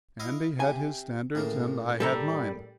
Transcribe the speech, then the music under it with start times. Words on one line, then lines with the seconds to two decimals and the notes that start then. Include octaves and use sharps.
Andy had his standards and I had mine.
0.20 E4 D#5 F5
0.60 C3 G#5
1.35 A2 C#3 A#3
2.00 G3 A4 A#5